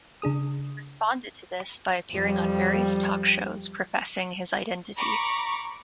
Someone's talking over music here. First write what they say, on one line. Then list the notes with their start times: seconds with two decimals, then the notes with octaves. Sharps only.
He responded to this by appearing on various talk shows, professing his identity.
0.22 C#3 D4 G#4 D#6
2.11 F2 G3
4.98 A#5 B5 C#6 D6